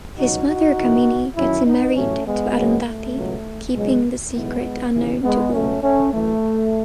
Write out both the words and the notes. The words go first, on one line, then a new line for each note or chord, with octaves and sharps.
His mother Kamini gets him married to Arundhati keeping the secret unknown to all.
C#2 B2 F#3 D#4 F#4
D#4 F#4
B1 A2 E3
F#2 D#3 F#3 C#4 E4
B3 D#4
A1 A2 F#3 A3 C#4
G#3 B3
C#2 C#3 F#3
A3
C#2 B2 F#3
C#2 B2 F#3 G#3
B1 A2 E3 G#3 B3
D#2 C#3 E3
G#3 B3
C#2 B2 F#3 A3 C#4
A3 C#4
F#2 E3 A3